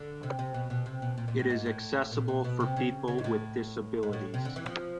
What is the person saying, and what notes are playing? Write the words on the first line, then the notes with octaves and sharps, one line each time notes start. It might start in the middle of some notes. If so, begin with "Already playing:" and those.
It is accessible for people with disabilities.
Already playing: D3
C3
C3
B2
B2
C3
B2
A#2
A#2
A2
G#2
A2
A#2
B2
B2
C3
C#3
C#3
G#2
A2
G#2
A2
C3
D3
E3
F3